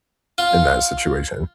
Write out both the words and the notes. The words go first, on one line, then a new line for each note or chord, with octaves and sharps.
in that situation.
F4